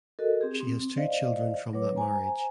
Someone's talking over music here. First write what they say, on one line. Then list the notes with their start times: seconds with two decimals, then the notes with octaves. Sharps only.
She has two children from that marriage.
0.19 F#4 A4 A#4 D#5
0.41 C4 G4 G#4
0.61 C4
0.96 C5 D5 D#5 F5
1.73 F#3 B4 C#5 D6
1.96 C5 G#5 A#5